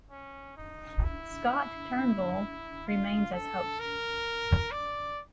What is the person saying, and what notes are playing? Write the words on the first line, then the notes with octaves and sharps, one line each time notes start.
Scott Turnbull remains as host.
C#4
D#4
E4
F4
A4
A#4
D5